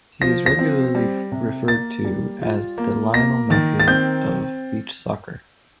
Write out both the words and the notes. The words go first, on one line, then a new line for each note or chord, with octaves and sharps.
He is regularly referred to as the "Lionel Messi of beach soccer".
F3 A#6
A#6
C4
G3
C3
A#3 A6
G3
F4
A#3
A#3 A#6
D#3 A6
A6
C4 G6